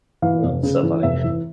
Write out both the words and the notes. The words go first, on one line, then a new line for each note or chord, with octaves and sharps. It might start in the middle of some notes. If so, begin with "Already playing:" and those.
Well, it's so funny.
E3 F5
F1
C#3
E3
F1 E5
E3